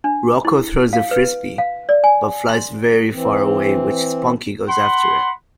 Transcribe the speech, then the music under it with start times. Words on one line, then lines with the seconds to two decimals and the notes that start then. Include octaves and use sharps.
Rocko throws the frisbee, but flies very far away which Spunky goes after it.
0.04 D4
0.45 E4
0.93 F5
1.11 B4
1.58 F5
1.89 D5
2.04 G#5
2.49 C6
3.12 E3 C4
4.68 F#5 B5 C6